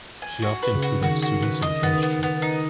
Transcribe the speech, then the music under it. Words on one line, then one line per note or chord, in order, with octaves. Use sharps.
She often tutored students in chemistry.
G#5
F#4
B4
C#3
F#4
D#3 F#4
F#4
B4
D#5
D#3 B3
B3
B3
D#4